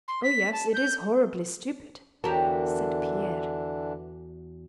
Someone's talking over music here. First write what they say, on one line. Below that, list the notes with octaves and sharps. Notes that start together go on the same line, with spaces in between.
"Oh yes, it is horribly stupid," said Pierre.
C6
B6
A5
G6
E2 D3 E3 D4 F#4 G4 A#4 A5